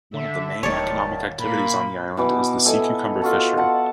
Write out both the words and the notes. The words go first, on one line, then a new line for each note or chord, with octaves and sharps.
One of the main economic activities on the island is the sea cucumber fishery.
D3 E5
D#1 D#3 C#5 D5 A5
A#2 A#3 B5
B2 E3 B3 D6
E4 A4 D#5 G#5
F4 F#4 A4
F#5 A5